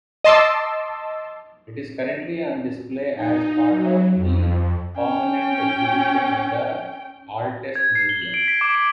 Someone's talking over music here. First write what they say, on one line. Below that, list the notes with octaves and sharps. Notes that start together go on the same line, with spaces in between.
It is currently on display as part of the permanent exhibition in the Altes Museum.
D#5 A5 C6 D6 E6
D#4
F#3
F2
C#4 G5
G#6
C7
G7
F#7
D7
B6
D6
D7